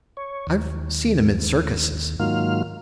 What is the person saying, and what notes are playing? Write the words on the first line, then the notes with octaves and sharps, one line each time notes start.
"I've seen 'em--in circuses."
C#5
D#2
G#2 D#3 F#3 A#3 F4 F6